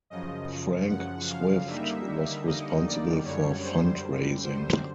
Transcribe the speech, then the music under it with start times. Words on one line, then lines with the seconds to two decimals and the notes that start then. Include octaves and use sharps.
Frank Swift was responsible for fund-raising.
0.10 F#2 C#3 F3 D#5
0.89 F#5
1.29 F5
1.68 D3 G3 A#3 D#4 E5
2.46 D#5
2.86 D5
3.25 F#2 D3 G3 C#5
3.64 C5
4.43 C5